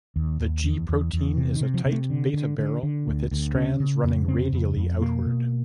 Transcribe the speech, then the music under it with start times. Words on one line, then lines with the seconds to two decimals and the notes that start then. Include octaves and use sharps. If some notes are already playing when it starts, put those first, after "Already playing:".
The G protein is a tight beta barrel with its strands running radially outward.
0.16 D#2
0.40 D#2
0.64 E2
0.89 E2
1.13 E2
1.37 C3
1.55 D#3
1.61 C3
1.74 F3
1.85 C3
1.92 A3
2.10 D3
2.34 D3
2.59 D3
2.83 D3
3.08 D2
3.31 D2
3.55 C#3 C#4
3.80 C#3
4.04 F2
4.28 C#3 C4
4.52 F2
4.76 F2
5.01 B2 A#3
5.26 B2